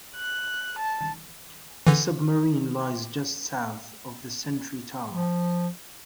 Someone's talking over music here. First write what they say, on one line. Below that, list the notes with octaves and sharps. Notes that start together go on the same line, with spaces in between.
The submarine lies just south of the sentry tower.
F#6
A5
D3 E3
F3